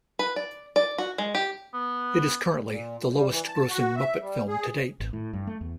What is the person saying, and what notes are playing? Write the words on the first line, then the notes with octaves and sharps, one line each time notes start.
It is currently the lowest-grossing Muppet film to date.
B4
D5
D5
F#4
G#3
G4
B3
A#2
G3
E3
A5
F#4
E5
G3
G#4
G#1
A2
G2
A3
E2